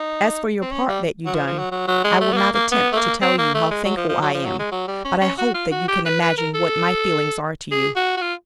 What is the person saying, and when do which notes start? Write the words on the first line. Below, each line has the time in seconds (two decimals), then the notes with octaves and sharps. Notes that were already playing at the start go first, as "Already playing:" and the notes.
As for your part that you done I will not attempt to tell you how thankful I am, but I hope that you can imagine what my feelings are to you.
Already playing: D#4
0.61 C4
0.71 C#4
0.88 G3
1.26 F#3
1.34 F3
1.47 F3
1.58 F#3
1.71 F#3
1.87 F#3
2.04 G#3
2.21 A3
2.32 B3
2.37 A#3
2.54 A#3
2.72 B3
2.93 A3
2.96 A#3
3.22 C4
3.38 A#3
3.54 A3
3.71 G#3
3.84 F#3
3.96 F3
4.09 F3
4.21 F#3
4.34 F3
4.46 F#3
4.59 G#3
4.72 F#3
4.88 G3
5.04 C#4
5.21 C#4
5.38 F#4
5.54 F4
5.71 F#4
5.88 G4
6.05 B4
6.21 B4
6.37 A#4
6.54 A4
7.71 G#4
7.96 F#4
8.17 F#4
8.21 F4